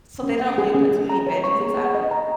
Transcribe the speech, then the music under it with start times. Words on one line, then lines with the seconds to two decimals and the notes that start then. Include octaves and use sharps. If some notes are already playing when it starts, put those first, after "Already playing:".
So, they don't really put too many veggies inside of it?
0.23 C#4
0.40 F#5
0.58 G#4
0.75 C#4
0.91 G#4
1.09 A#5
1.27 C#5
1.44 C#6
1.60 G#4
1.78 F#5
1.95 D#5
2.11 A#5